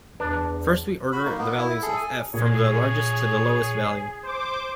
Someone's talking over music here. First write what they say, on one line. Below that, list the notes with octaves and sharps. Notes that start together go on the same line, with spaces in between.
First we order the values of "f" from the largest to the lowest value.
E2 D4 B4
F#4 B5
A#3 D#4
A#3 B3
E4
G#4 A4
G#5
A#2 G#4 C#5
C5 D6